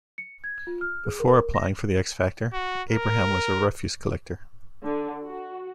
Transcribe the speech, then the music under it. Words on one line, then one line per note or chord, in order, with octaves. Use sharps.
Before applying for "The X Factor", Abraham was a refuse collector.
C#7
G#6
F4
F6
G#4
A#4
A#6
F#4
A#4
D3
F#4